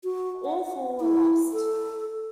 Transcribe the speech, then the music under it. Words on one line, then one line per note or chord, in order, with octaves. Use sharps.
All four were lost.
F#4
F#5
E4
A4